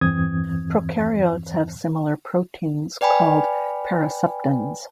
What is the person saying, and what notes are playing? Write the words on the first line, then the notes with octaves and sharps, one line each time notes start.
Prokaryotes have similar proteins called paraseptins.
E2 G2 E3 C4 D#6 G#6
B4 D5 G5 G#5 B5